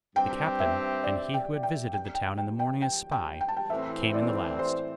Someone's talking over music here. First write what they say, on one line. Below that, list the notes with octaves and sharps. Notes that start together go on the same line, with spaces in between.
The captain, and he who had visited the town in the morning as spy, came in the last.
G2 G3 C4 G4 G5
E5
D5
G5
G5
G5
G5
G5
G5
G5
G5
G5
A5
G5
A2 E3 C4 E5
D5
C5